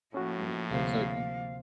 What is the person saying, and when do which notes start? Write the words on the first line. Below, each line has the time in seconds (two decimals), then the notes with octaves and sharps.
you know, it's like, "Huh."
0.14 A2 F3 A#3 C#4 F#4
0.71 D2 C3 C5 F5